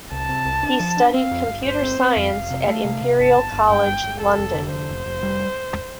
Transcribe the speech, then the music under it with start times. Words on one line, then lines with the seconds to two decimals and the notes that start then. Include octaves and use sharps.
He studied computer science at Imperial College London.
0.11 C2 A5
0.29 C3
0.45 C2
0.63 D4
0.80 F3
0.97 D4
1.14 C4 F5
1.31 F2
1.48 G1
1.65 G1 C5
1.82 C4
1.99 C4
2.16 F2 F5
2.34 F1
2.50 C3
2.67 A3 F5
2.84 C3
3.02 C3
3.19 G1 A5
3.35 G1
3.52 G1
3.70 G2 G5
3.87 G1
4.04 G1
4.20 F1 A4
4.38 F1
4.55 D3
4.72 F1 C5
4.89 F1
5.06 F1
5.23 G3